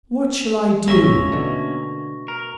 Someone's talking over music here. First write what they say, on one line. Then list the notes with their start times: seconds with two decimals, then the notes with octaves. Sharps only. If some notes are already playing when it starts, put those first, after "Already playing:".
"What shall I do?"
0.88 G#1 G#3 A#3 C#4 E5 C#6 A#6
1.32 B2 D3 A3
2.28 A#4